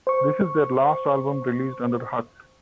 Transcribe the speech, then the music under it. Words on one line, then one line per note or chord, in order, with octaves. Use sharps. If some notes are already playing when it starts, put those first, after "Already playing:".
This is their last album released under Hut.
C5 C#6